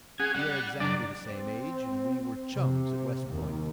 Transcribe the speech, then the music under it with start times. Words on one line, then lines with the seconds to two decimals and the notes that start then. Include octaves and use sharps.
We are exactly the same age, and we were chums at West Point.
0.20 C#4 G#4 F#5 G#5
0.34 G3 D5 F#5
0.80 F#2 C#3 D4 D5
1.26 C4
2.55 C3
3.30 D#2